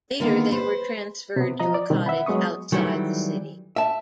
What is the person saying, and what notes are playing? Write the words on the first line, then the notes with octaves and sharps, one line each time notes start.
Later they were transferred to a cottage outside the city.
D3 D#3 A#3 B3
B4 C5
C3 B3
F3 D#5 A#5
D5
B2 D#3 G3 C4
E5 F#5 B5
F#3 G#3 B3 C#6 D#6
D#3 E3 F#3 G3 A3 E4
E5 A5